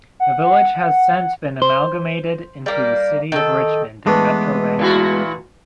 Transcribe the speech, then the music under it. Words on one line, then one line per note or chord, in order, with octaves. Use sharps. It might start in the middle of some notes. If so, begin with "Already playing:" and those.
The village has since been amalgamated into the city of Richmond in Metro Vancouver.
F#5
C5
G3 A#3
D#3 A4
E3 G#3 A3 B3 D4
A#2 E4 F#4